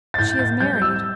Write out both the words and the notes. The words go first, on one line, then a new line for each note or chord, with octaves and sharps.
"She is married."
A6
A2 G6
A6
G3 C4 G6
E6